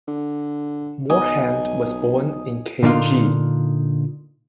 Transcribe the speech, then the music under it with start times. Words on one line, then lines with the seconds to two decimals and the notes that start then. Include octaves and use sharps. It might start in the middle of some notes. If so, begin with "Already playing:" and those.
Mohamad was born in Kg.
0.08 D3
1.10 B1 D#5 G#5
2.83 A#2 D3 A#3 D4 D#4 F4